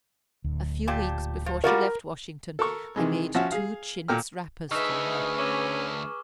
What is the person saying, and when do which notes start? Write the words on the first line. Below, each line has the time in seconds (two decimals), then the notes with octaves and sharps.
A few weeks before she left Washington I made two chintz wrappers for her.
0.44 D1 D2
0.87 A#2 G4 A5
1.46 F3
1.64 G3 F4 F#4 A#4
2.59 A4 A#4 C#6
2.96 C3 D#3 E3 G#3
3.35 F3 C#4 F#4 E5
3.52 G#4 F5
4.08 A#2 A4 G5 A#5 F6
4.71 D2 D#4 G#4 B4 E5 C#6 E6 F6
5.39 C#4 D6